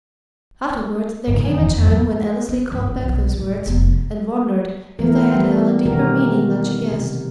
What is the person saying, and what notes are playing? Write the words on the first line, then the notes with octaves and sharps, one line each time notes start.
Afterward there came a time when Annesley called back those words and wondered if they had held a deeper meaning than she guessed.
G1 G#2 C#3
D#3 B3 C#4
F1 D#2 E3
F2
G#1 E2 F#3 A3
B3
G1 D4
C#4
B1
D1
F1 B3
E3 A3 B3 A#4
G3
B2 D#3 C4 F#4 G4 A#4
C3